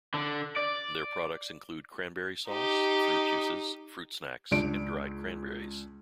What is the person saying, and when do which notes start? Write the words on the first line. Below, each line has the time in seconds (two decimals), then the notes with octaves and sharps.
Their products include cranberry sauce, fruit juices, fruit snacks, and dried cranberries.
0.14 D3
0.56 D5
2.48 D#4 G4
4.51 C#2 D4 D7